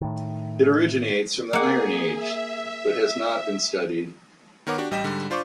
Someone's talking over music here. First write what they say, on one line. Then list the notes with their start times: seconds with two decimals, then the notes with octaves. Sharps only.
It originates from the Iron Age, but has not been studied.
0.01 A2 D#3
1.53 A#3 G#4 F#5
2.16 E5
4.67 D#3 B3 A#4 C#5 F#5 D6
4.78 D4 F#4 G4
4.91 A1 G3 D#5 G5 B6 E7
5.04 G#2 D3 G3
5.30 D4 F4 C5 D5 C#6 D6